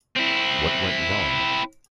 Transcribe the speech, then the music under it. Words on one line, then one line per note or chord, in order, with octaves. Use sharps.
What Went Wrong?
C4 E4